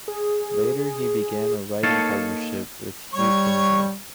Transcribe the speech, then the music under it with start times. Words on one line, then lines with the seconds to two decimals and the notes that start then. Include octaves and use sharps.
Later, he began a writing partnership with Hugh Kingsmill.
0.08 G#4
1.83 A#3 D#4 A4 C#5 F5 A5
3.14 G3 C#5 C#6